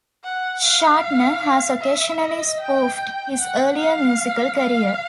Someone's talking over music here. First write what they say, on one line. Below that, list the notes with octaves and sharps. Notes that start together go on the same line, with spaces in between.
Shatner has occasionally spoofed his earlier musical career.
F#5
F5
E5
D#5
G5
G5
F#5
F5
F5